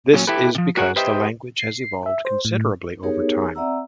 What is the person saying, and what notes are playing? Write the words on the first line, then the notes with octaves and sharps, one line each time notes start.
This is because the language has evolved considerably over time.
A#2 F#3 C#4
E4 G4 A4 B4
C3 F3
F#4 G#4 A#4 C#5 F#5
G4 B4 C5 D#5 E5 G5
C7
E5
C5
A2
B3 D#4 G4 G#4 A#4 C#5
C4 D5 E5 F#5 A#5 E6